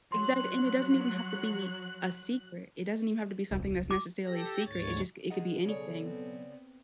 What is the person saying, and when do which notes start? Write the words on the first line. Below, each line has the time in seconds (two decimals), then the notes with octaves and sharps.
Exactly, and it doesn't even have to be a secret, it doesn't even have to be something that's necessarily a secret, it just c it could be anything.
0.12 F#3 C6 F#6
3.51 D#1 C2
3.91 D6
4.27 G4 A4 A#6
4.66 D2 G#2 C#5 A6
5.30 G#4 D#5 F#5
5.65 B1 C#3 G#4 A4 C#5 D5
6.01 B3 C4